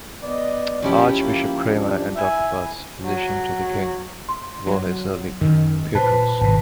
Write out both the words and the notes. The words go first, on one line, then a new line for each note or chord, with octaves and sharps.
Archbishop Cranmer and Doctor Butts, physician to the king, were his early patrons.
B3 D5 D#5
C#3 F3 E4 G4 C#5
A#3
D4
E4 E5 G#5
F#3
C6
F#3
F#2 D#3
A#2 B4 C5 A5
G#1 B2 A5